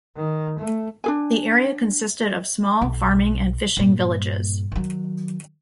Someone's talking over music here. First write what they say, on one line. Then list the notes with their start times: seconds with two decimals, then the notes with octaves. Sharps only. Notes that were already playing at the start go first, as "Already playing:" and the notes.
The area consisted of small farming and fishing villages.
0.16 D#3
0.59 A3
1.04 D4 G#4 G#5
2.81 B1
3.77 G2 A#2
4.72 D#3 F#3